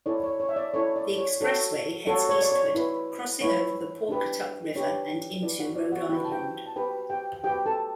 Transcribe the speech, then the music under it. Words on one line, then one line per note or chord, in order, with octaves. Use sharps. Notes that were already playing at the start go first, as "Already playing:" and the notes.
The expressway heads eastward, crossing over the Pawcatuck River and into Rhode Island.
E4 A4 C#5 D5
C#5
C#5
E5
D5
E4 A4 C#5
D5
C#5
F#4 A4 C#5
F#4 A4 C#5
C#5
D5
C#5
E4 B4
E4 B4 C#5
D4 G4 B4
D4 G4 B4 C#5
E4 B4 D5
F#4 F#5
D5
F#4 F#5
E4 G4 B4 G5
A5
G4 G5
A5
F#4 G4 B4 G5
G4 G5
F#4 G4 B4 G5
A4 A5